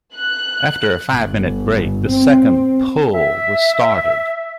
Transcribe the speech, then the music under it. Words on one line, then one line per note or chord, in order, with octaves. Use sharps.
After a five-minute break, the second pull was started.
F#6
G1
C4
E5